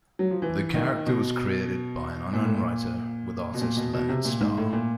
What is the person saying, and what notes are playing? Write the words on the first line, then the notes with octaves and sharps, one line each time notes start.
The character was created by an unknown writer with artist Leonard Star.
F#3
F3
E3
D#3
B2
A#2
A2
A#2
B2
A#2
B2
B2
C3
A#2
G#2
A2
A#2